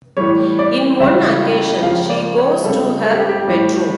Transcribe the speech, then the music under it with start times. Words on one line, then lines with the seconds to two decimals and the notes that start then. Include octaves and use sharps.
In one occasion, she goes to her bedroom.
0.17 A2 E3 G3 C#5
0.59 D5
1.00 C#2 C#3 E3 G3 E5
1.40 F5
1.82 C#2 C#3 F3 F5
2.09 D5
2.38 C#5
2.64 C#2 C#3 G3 A4
3.05 A4
3.14 G4
3.29 G4
3.48 A2 E3 G3